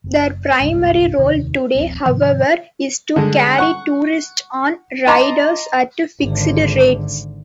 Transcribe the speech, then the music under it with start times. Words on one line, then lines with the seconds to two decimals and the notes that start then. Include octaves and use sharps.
Their primary role today, however, is to carry tourists on rides at fixed rates.
0.04 F#1
0.60 G1 C2 G#2
1.18 F1 D#2 C3 D#3
1.75 D#1 A#1 C4
2.06 G#2 C3 D#3 F3
3.16 D3 G#3
3.58 F#5 C#6
5.07 D#5 A5 A#5 C6 D6
6.21 G#1 D3